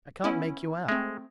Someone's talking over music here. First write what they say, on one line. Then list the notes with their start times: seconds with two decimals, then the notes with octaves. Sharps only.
I can't make you out.
0.24 B3 C#4 E4
0.88 G#3 A3 C4